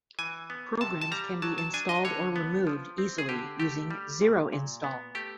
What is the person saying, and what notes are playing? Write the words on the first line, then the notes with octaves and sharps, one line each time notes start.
Programs can be installed or removed easily using Zero Install.
E3 G#5
B3
C3 A5
A5
G3 A#5
F#3 A5
A5
D4 G#5
D#5
D3 C#5
B3
F3
C4
G#4
D3 G4
A3 G4
G3
A#2
A#2
B3
A3 G4